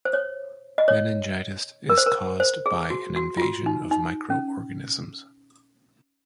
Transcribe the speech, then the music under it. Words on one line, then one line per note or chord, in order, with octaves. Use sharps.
Meningitis is caused by an invasion of micro-organisms.
C5
C#5
D#5
C#5
A#4
C5
A#4
C5
G#4
F#4
F#4
F4
F#4
D#4
D#4
C#4